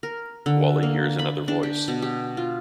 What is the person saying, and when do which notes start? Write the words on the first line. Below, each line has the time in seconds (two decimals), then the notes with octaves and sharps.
Wally hears another voice.
0.03 A#4
0.46 D3
0.83 A#3
1.19 B5
1.48 D4
1.63 G4
1.88 B2
2.02 G4
2.37 F4